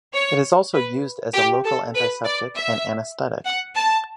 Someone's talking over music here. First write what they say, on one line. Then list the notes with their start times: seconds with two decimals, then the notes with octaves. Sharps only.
It is also used as a local antiseptic and anaesthetic.
0.13 C#5
0.74 B4
1.34 G4
1.64 A4
1.95 B4
2.25 D5
2.55 E5
3.46 F#5
3.75 A5